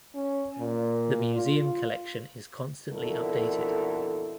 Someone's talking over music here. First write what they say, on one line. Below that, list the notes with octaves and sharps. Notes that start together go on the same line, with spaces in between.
The museum collection is constantly updated.
C#4
A#2
F4
F2 B2 D3 E4 A4 A#4